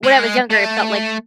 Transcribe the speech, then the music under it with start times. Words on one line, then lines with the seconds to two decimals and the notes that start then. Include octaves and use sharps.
When I was younger, it felt, like,
0.04 G#3
0.51 A3